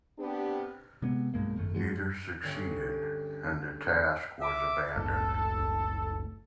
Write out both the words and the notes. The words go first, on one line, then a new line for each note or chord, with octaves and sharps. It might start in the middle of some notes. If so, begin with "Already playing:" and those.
Neither succeeded, and the task was abandoned.
B3 C4 D4 G4
C3 G#3 B3
B1 G2 G#3 A#3
G#1 F#2 A3
G2 F3 F#3 G#3
F#2
G1 D2 C#4
E5 D6
F#1 C#2 A2 A4